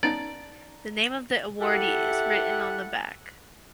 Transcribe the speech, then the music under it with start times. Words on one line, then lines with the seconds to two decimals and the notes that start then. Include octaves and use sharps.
The name of the awardee is written on the back.
0.03 B3 C#4 D#4 D5 A5 A#5 A6
1.61 E4 G4 A4 E5 F#5